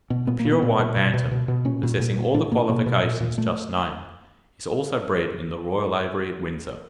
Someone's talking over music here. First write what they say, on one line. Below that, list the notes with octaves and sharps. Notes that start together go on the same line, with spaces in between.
A pure white Bantam, possessing all the qualifications just named, is also bred in the royal aviary at Windsor.
B2
A#2 B3
A#3
A#2
B3
A#2
A#2
B2
B2
B2
B2
A#2 C#4
A#2
A#2
A#2
A2 D4
A2 A#3
B2 A#3
B2
A#2
A#2
A#2 A3